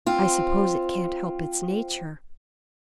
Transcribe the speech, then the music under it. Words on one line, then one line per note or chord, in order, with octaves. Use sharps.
I suppose it can't help its nature.
C4 F4